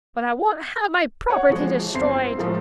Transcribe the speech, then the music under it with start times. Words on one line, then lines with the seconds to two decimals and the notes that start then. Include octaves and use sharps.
"But I won't have my property destroyed."
1.30 C#5 F#5
1.50 E3 F3 G#3
1.94 G1 C4 E4 E5 C6 C7
2.37 A2 F3 G#3 A#3